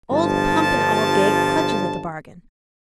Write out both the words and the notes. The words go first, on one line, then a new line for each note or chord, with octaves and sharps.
Old Pump and Aldgate clutches at the bargain.
G1 G2 F3 A5